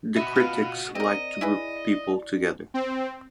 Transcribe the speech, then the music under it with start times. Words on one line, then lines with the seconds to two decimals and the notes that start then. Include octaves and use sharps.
The critics like to group people together.
0.16 F#4 D#5 E5 B5
0.36 F4 B4 F5
0.95 C4 A#4 D5 D#5
1.41 E4 G#4 B4
2.74 C4